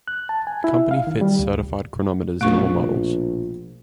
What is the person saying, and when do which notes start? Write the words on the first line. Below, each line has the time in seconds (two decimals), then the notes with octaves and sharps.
The company fits certified chronometers in all models.
0.08 F#6
0.29 A5
0.47 G#5
0.64 E4
0.91 F5
1.07 D#3
1.21 G3
1.39 D2
2.41 A#1 B2 A3 C#6